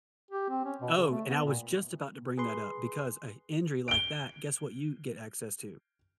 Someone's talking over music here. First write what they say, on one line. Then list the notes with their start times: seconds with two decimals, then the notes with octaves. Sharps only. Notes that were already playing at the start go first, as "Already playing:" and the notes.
Oh, and I was just about to bring that up, because a injury like that, guess what you get access to?
0.31 G4
0.49 C4
0.65 C#4
0.81 B2
0.96 C#3
1.10 A3
1.28 B3
1.45 A#2
2.38 G#4 B4 C6
3.88 D7 G7